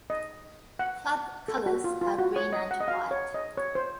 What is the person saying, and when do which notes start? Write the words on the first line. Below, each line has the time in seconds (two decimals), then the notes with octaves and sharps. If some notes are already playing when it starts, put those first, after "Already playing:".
Club colours are green and white.
0.10 D#5
0.79 F#5
1.48 A4
1.66 F#4
1.84 F4
2.01 F4
2.18 F#4
2.36 C#5
2.53 D#5
2.71 F#5
2.81 D#5
2.88 F5
3.11 C#5
3.34 D#5
3.57 C#5
3.75 C5